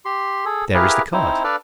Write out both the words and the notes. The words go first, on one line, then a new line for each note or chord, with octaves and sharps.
There is the card.
G4 C6
G#4 A4
E4 G4 G#4 A#4 B4 F5
C4 D#4 E4 C5
D4 A4 B4 D5 F5